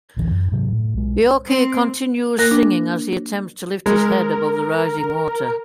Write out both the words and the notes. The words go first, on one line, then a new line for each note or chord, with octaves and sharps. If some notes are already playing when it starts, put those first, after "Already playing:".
Yorke continues singing as he attempts to lift his head above the rising water.
A1 D2 E3
F#2
G#2 C3 F#3
A2
B1 G#3
C4
A#3 A#4 F#6 A#6
D4
G#3 A#4